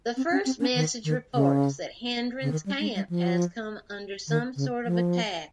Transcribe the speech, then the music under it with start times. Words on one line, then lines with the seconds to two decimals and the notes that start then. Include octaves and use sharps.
The first message reports that Hendron's camp has come under some sort of attack.
0.17 C4
0.32 C#4
0.46 C4
0.60 C#4
0.75 D#3
1.04 D#3
1.34 C#3
2.42 C#3
2.52 D#3
2.66 G3
2.80 G#3
2.96 G3
3.09 F3
4.28 D#3
4.56 C#3
4.85 F3